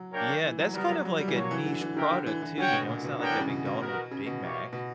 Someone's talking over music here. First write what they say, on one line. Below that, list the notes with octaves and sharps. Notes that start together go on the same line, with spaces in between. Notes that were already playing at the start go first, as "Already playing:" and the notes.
yeah, that's kind of like a niche product too, you know? It's not like a McDonald’s Big Mac.
Already playing: F#3
A#3 D4 A#4 C#5 G5
E3
F#3
G3 B3 F#4 A#4
F#3
F#3
G3
E3
F#3 A#3 D4 A#4 C#5
E3
D3
E3
D3 D4 A#4 E5 G5
D3
E3
E3
D3 C#4 F#4 C#5 G5
B2
A#2
B2
D3 B3 D4 A#4 C#5 G5
E3
C#3
B2
B2
B3 F#4 A#4
C#3
B2
A#3 E4 G4 C#5
B2